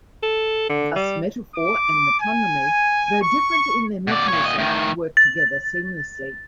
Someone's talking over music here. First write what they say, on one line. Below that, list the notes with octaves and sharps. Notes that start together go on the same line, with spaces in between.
Thus, metaphor and metonymy, though different in their mechanism, work together seamlessly.
A4
D3
G3
D6
G#5
C#6
B2 D5
A#2 C#5
A#2 D#5
A2 D#3
A6